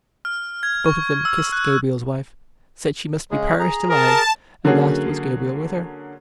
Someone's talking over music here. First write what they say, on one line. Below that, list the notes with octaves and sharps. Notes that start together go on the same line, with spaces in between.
Both of them kissed Gabriel's wife, said she must be perished alive, and asked was Gabriel with her.
F6
G#6
C#6
E6
F#6
C#3 G#3 G#4
G#4 A#5
G#4 A#4 A5
D3 F#3 A#3 C#4 F#4 G#4